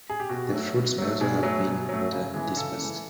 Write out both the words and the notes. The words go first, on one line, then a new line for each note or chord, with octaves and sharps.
The fruits may also have been water dispersed.
G#4
G4
B2 F#4
F#3 A3
B2
F#3 A3
B2 G#4
F#3 A3
B2
F#3 A3
C#3
E3 G#3
C#3 A4
E3
G#3